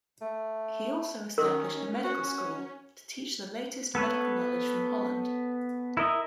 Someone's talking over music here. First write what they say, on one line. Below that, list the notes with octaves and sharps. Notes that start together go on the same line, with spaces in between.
He also established a medical school to teach the latest medical knowledge from Holland.
A3
D#3 C#4 A#4
F#4
B3 A4 B4 C#5
E4 A#4 D#5 E5